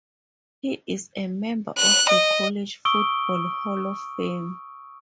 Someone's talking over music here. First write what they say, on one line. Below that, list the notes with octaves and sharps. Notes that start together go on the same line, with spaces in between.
He is a member of the College Football Hall of Fame.
F#6
D#5
C#6 D#6 E6 D7 G7